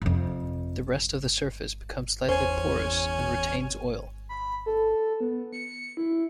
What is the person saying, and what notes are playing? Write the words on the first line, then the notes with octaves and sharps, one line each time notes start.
The rest of the surface becomes slightly porous and retains oil.
F2 C3
E2 C#4 C5 G#5
B5
A4
B3
C#7
E4